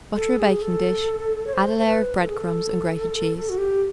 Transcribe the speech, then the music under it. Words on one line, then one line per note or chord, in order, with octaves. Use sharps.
Butter a baking-dish; add a layer of bread-crumbs and grated cheese.
A4
G#4
A4
C#5
C5
C5
B4
A4
G#4
A4
F#4
G4